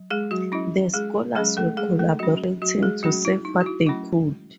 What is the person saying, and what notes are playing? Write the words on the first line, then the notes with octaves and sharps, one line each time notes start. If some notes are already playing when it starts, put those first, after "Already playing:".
The scholars were collaborating to save what they could.
Already playing: F#3
G#3 G#4
F#3 F#4
F#3 C#4 E4
G#3 G#4
F#3 G#3 C#4 G#4
A3 A4
G#3 G#4
A3 A4
F#3 C#4 F#4
F#3 F#4
G#3 G#4
F#3 A3 C#4 F#4
E4
D#4
F#4
E4
F#3 A3 C#4 E4